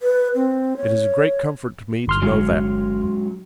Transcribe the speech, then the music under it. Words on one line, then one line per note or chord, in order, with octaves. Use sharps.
It is a great comfort to me to know that.
B4
C4
C#5
G1 C6 F6
F#3 G#3 C#4